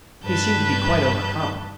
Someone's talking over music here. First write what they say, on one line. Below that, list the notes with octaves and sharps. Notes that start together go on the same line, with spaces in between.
He seemed to be quite overcome.
G2 B4 A5 G6